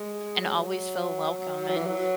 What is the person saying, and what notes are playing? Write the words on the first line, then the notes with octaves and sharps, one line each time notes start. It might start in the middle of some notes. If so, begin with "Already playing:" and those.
and always feel welcome, and
Already playing: G#3
F#3
F#3
E3
F#3